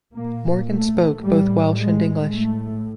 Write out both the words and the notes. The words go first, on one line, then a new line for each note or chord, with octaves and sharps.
Morgan spoke both Welsh and English.
A#2 A#3
A3
A2 G3
G#3
A2 A3